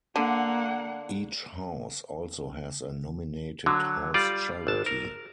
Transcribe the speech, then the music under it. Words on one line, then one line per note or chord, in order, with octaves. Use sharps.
Each house also has a nominated house charity.
D3 A#3 F#5
D3 F#3
G3 F4 D5
G#1 A5
A#4